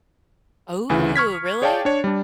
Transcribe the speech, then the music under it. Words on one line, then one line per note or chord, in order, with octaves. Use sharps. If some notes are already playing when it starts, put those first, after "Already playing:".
Ooh, really?
D2 C#3 E3
C#6 F6 G#6 B6
G#4 C#5 D5 F5 G5 A5
D4 C#5
G3 D4